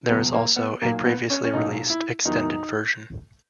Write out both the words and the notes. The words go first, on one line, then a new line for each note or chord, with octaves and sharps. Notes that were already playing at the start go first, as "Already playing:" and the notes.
There is also a previously released extended version.
F#1 E2 B2 F#3 B3
A#3
B3
B1 A#2 F#3 A#3
B3
C#4
C#4
B1 A#2 F#3 D#4
E4
E2 D#3 F#3 D#4